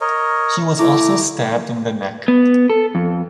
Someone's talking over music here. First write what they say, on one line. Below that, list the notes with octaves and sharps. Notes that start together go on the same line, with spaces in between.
He was also stabbed in the neck.
A#4 C#5 D#5
A3 E4 A#5 D6
B3
A4
F2